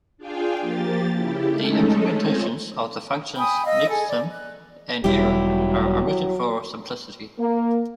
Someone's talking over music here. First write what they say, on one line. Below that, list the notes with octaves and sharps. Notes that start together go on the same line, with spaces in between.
The implementations of the functions "nextsym" and "error" are omitted for simplicity.
D4 F4 G#4 F5 G5 G#5
F3 A#3 G4 A6
C#3 E4 G4
G#3 A3 C#4 D#4 A4
C4 F4 C5 C#5 D#5 G#5
G5 G#5 B5 D#6
D#5 F5 E6
G#4 A4 G#5
D5
F#6
E1 F#3 G3 E4 G4
A#3